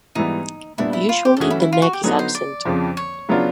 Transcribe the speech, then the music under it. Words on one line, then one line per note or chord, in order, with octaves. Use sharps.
Usually the neck is absent.
G#2 E3 G3 B3 D#4 E4
A#2 G3 B3 D4 E4
E4
F4
G4
A4
E3 A3 C#4 F#4 G#4
E4
E4
F4
F#4
G4
D3 F#3 B3 D#4 F#4 G#4
C5
D5
F2 C#3 F3
C#5
C#3 F#3 B3 D4 F4